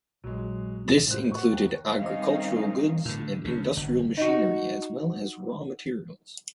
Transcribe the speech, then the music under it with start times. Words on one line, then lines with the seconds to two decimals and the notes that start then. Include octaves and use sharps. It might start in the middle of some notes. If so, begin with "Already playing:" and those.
This included agricultural goods and industrial machinery as well as raw materials.
0.24 A#1 F#3 G#3
0.88 D#2 C3 D#3
1.07 G#1 A2 C5 F#6
1.31 F#5 C#6
1.51 D#2 D#3
1.98 D#3 G3 C4 C#4 D#4 F5
3.05 A2 D3
3.45 D2 C#3
3.77 G1
4.17 D#4 F#4